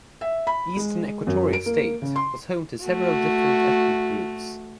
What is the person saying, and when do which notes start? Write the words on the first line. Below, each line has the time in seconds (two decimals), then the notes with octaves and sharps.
Eastern Equatoria state was home to several different ethnic groups.
0.21 E5
0.47 B5
0.77 G#3
1.27 F#2
1.53 D7
1.66 A#3
2.02 C#3
2.16 C6
2.84 A3 F#4